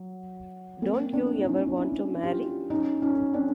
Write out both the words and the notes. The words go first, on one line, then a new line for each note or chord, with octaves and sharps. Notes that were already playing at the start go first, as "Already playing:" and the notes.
Don't you ever want to marry?
Already playing: F#3
A#3 C4
C4 D4
E4
C#4 D#4
D4 E4
F4 G4
C#4 D#4
C#4 D#4
C4 D4